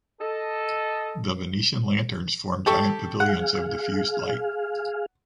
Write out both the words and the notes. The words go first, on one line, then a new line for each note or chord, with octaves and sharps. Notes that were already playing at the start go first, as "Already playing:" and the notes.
The Venetian lanterns formed giant pavilions of diffused light.
A4 D#5
G4 A4 C#6
G#4 F5 F#5